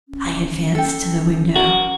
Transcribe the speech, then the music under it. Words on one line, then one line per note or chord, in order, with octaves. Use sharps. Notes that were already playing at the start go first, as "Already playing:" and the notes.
I advanced to the window.
C#4
C#4 A4 G5
F#4 A#4